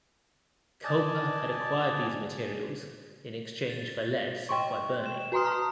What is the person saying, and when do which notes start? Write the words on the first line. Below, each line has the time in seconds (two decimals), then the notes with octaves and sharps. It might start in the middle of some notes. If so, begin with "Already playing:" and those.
Culper had acquired these materials in exchange for lead sent by Birnie.
0.84 D5 D#5 G#5 A5
3.70 A6
4.49 D#5 G5 C6 C#6
5.06 E7
5.32 F#4 B4 A#5 C6 D#6 F6
5.44 A5 A#5 D#6 F6